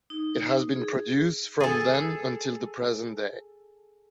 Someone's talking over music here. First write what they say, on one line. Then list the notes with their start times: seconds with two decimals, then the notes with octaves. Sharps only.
It has been produced from then until the present day.
0.10 D#4
0.71 G#4
1.60 G#4 A4